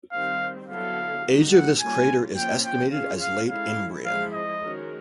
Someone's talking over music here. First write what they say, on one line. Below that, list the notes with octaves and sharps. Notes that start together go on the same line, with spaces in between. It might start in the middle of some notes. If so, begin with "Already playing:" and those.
Age of this crater is estimated as Late Imbrian.
D#3 G3 C4 F5
D3 F#3 B3 E4 A4 F5
D#3 G3 A#3 D#4 F#4
F#5
G3 A#3 C#4 F4 G#5
F3 A#3 C#4 F4 G5
G5
C#4 F4 G#4 F5
F5
G#3 C#4 E4 A4 F5
F3 G#3 C4 E4 G#4 F5
D#5
D#3 G#3 C#4 F#4 A#4